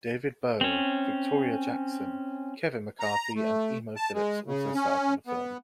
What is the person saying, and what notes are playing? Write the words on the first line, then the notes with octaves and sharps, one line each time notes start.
David Bowe, Victoria Jackson, Kevin McCarthy, and Emo Philips also starred in the film.
C4 C#4
A#5
A3
A5
G#3
C#3
C#4
B3